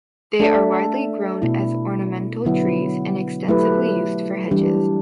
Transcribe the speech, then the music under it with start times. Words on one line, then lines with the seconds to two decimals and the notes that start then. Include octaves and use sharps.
They are widely grown as ornamental trees, and extensively used for hedges.
0.40 A3 D4 A4 E5
1.42 B2 A3 E4
2.45 D3 F#3 B3 E4
3.48 F#3 A3 E4 G4 B4
4.51 E3 G3 D4 G4